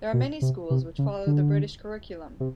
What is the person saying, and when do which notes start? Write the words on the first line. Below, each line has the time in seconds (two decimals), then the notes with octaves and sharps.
There are many schools which follow the British Curriculum.
0.13 B2
0.42 C3
0.70 C3
0.98 C#3
1.26 D3
2.40 C3